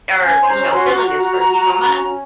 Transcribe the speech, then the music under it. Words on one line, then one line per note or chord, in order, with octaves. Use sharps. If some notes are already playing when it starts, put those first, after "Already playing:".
or you know feeling this for a few more months,"
C#4 G#5
C5 C6
A#5
C#4
F#4 C6
F#4 C6
A#5
F#4
F#4
F#4
F#4
F#4
C#4
C#4